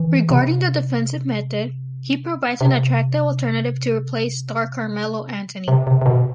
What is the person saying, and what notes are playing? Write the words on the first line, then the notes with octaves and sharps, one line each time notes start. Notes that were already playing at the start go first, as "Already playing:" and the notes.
Regarding the defensive method, he provides an attractive alternative to replace star Carmelo Anthony.
Already playing: E3
C3
C3
C3
C3
C3
B2